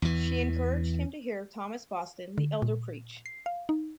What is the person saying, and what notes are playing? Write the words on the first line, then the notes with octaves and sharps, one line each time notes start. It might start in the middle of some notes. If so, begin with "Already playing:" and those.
She encouraged him to hear Thomas Boston the elder preach.
E2 E3
D3
A#2
C7
F5
D#4